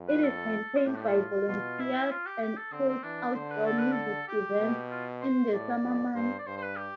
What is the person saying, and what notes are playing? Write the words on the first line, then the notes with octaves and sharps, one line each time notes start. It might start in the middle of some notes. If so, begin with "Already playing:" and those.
It is maintained by volunteers and hosts outdoor music events in the summer months.
Already playing: F2
B4
A4
F4
A2 G4
D4
G4
F4
B2 F4
E4
F4
G4
G4
A4
D3 C4
C4
E3 D4
D3 C5
B4
A4
B4
A4
G4
B2
F4
C5
A2 D5
F2
G2 C5
D5
G2 C5
C5
B4
G4